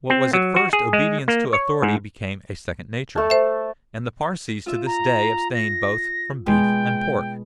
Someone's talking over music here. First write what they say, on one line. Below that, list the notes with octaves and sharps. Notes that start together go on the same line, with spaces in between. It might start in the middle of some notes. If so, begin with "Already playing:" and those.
What was at first obedience to authority became a second nature, and the Parsees to this day abstain both from beef and pork.
C4
F#3
F#4
G#4
G#3
A#3
C#5
G#2
A3 A5
C5 E5
F4 E5
A#5
A#6
B2 G#3 G5